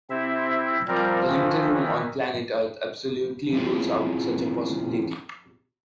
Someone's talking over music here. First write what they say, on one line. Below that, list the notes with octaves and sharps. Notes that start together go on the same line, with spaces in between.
The limited room on planet Earth absolutely rules out such a possibility.
C3 C4 E4 E5
F3 G3 C4 A#4
D#3 E3
E3 C4 C#4 E4 F4 G#4